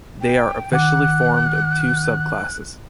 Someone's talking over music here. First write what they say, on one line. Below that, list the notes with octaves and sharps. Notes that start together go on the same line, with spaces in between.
They are officially formed of two subclasses.
G5
D#3 F#5 D6 F#6